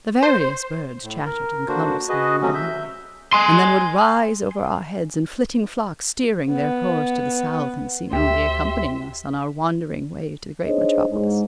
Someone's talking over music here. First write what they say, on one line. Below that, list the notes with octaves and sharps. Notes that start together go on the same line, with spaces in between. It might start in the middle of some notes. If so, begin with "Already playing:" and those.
The various birds chattered in clumps along the highway, and then would rise over our heads in flitting flocks, steering their course to the south and seemingly accompanying us on our wandering way to the great metropolis.
C5
A2
A#4
D3 A#3 D4 F#4 C5
F#4 G#4 B4 D#5
C3 F#3 A3 C#4 F#4
E5 G6
G#5 C6
B3
D2 G4 E5 C6
D4 D#4 G#4 C5 C#5 D#5
G#2